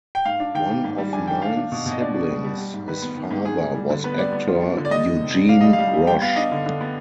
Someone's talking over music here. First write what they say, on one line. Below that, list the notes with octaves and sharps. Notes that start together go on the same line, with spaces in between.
One of nine siblings, his father was actor Eugene Roche.
G5
G#2 F5
D4
D#3 G5
D#3
G#2
G3
D4 G#5
D#3 G5
D4 F5
D4
B2
B2
D#5
D4 D5
D4
G3
G3
G3
G#2
D#3 B4
B3
D#3
G#2
G#2 G#4
G#2
G3
D3
B3 B4
G3 D5
B3
F4
F4
D3
D5
G3 D#5
D#3
C3
G3
D4 F5
G3 D#5
F5
G3
G3
G3 G5
B3 F5
D4 D#5
D3
D3
B3